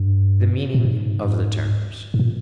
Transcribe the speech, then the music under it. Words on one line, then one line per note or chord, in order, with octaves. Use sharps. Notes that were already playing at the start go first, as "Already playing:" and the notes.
The Meaning of the Terms.
Already playing: G2
A#2
G#2
G#2
A#2